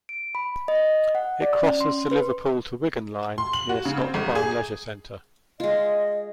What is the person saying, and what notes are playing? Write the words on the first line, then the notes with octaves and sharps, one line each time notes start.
It crosses the Liverpool to Wigan Line near Scotchbarn Leisure Centre.
D7
B5
D#5
F#5
D5
C#4
C6
B4
C6
F#7
F#4
C#3
C4
G1
G#4
G#3 F4 D#5